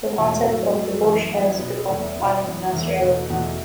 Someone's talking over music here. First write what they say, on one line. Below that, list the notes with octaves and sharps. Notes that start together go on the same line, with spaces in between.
The concept of "the bush" has become iconic in Australia.
E2 B2 A3 C#5
A2 F#3 A3
F#2 F#3 A3
F#2 E3 A3 E5
E5
F#2 E3 B3 E5
C#5
B2 B3 B4
A4
E2 E3 A3
E5
B2 B3
F#2 E3 B3
E2 E3 A3 E5
C#5
E2 B2 A3 B4
E2 B2 A3 F#5
E5